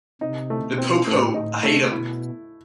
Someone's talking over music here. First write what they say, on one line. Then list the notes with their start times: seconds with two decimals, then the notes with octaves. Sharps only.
The 'Po-Po,' I hate 'em.
0.21 C3 D#4
0.50 A3
0.64 B2
0.78 C4
1.06 A2 A3
1.34 A2 D#4
1.63 C3 A3
1.92 B2 E4